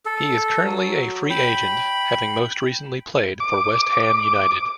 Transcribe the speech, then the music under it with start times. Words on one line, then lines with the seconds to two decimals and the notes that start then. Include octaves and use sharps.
He is currently a free agent, having most recently played for West Ham United.
0.05 A4
0.64 F#3
1.30 G5 B5
3.40 D6